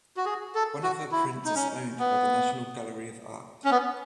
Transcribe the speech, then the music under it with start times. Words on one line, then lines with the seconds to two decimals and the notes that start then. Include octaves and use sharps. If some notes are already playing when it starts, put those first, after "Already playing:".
One of her prints is owned by the National Gallery of Art.
0.17 F#4
0.25 G#4
0.55 A4
0.83 F#4
1.12 E4
1.45 D#4
1.55 C#4
1.99 B3
3.64 C#4
3.71 B3